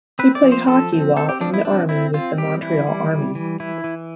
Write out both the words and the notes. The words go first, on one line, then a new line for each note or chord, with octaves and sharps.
He played hockey while in the army with the Montreal Army.
C4 B4
D5
F3
C5
F3 A4
C4
C4 A4
G4
F3 D4
E4
C4 D4
C4 E4
C4 F4
G3 G4
E3 E4
G3
G3
E3
E3 E4
E3